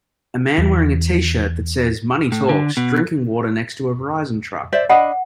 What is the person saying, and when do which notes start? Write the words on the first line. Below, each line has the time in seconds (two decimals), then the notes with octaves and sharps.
A man wearing a tshirt that says money talks drinking water next to a Verizon truck.
0.58 E2
2.32 A2
2.49 D3
2.77 B2
4.73 C5 D5 E5
4.90 D4 D#5 F#5 B5